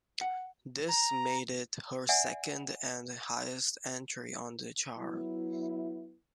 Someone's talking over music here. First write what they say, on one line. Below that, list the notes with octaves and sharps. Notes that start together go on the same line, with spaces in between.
This made it her second and highest entry on the chart.
F#5
A#5
D5 E5 F#5 G#5
F#3 B3 E4